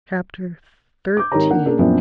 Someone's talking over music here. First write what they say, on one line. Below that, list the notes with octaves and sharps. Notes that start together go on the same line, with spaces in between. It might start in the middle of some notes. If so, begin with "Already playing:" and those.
Chapter XIII.
D6 G6
G#1 D#4 G4 A#4 C#5 A#5
A#3 D4 A#4 F#5
A#3 C#4 D4 G#4 A#4
F#2 A#2 F3 B3 C4 D4